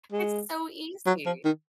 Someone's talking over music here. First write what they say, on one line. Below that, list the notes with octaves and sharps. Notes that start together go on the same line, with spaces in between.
it's so easy.
G#3
F#3
F3
D#3